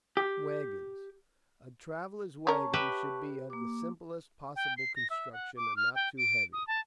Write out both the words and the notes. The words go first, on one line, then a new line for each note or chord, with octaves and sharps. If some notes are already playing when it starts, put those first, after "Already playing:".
Wagons.--A traveller's wagon should be of the simplest possible construction, and not too heavy.
G4
C#4 A#4 A5 C#6
G4 B4 E5
A#3 D6
G5
C7
A#6
E5
F#5
D6
F6
G5
D7
D#6
A5